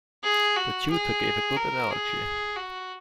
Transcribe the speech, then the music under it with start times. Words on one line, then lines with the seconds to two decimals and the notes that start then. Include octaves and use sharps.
The tutor gave a good analogy.
0.23 G#4
0.56 F#4
0.90 G#4
1.56 A#4
1.90 G#4
2.56 F#4